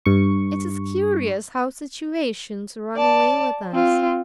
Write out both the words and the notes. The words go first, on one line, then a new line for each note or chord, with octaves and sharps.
It is curious how situations run away with us.
G2 C#6
D5 A5
C4 F4